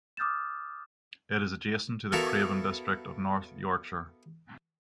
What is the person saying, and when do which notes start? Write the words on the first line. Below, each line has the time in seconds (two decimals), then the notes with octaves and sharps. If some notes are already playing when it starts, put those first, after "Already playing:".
It is adjacent to the Craven district of North Yorkshire.
0.17 D6 D#6 F6 G6 A6 E7
2.12 B3 E4 F#4 A4 A#4 F5